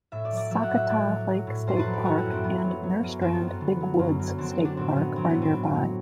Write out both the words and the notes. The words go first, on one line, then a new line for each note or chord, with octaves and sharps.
Sakatah Lake State Park and Nerstrand-Big Woods State Park are nearby.
A2 E5
D5
F#3
D5
F#3 E5
F#5
A2
E5
A2 D5
F#3
F#3
A2
F#2 C5
A4 B4
F#3
G4
F#3 F#4
E4
F#2
C4
F#2 B3
F#3
F#3
F#2
F#2 C4
B3
F#2
B3
D3
F#3
F#2
F#2
D3 C4
C4
F#3
D4
A2 C4
F#3 B3
F#3 C4
B3
A2
C4
A2
F#3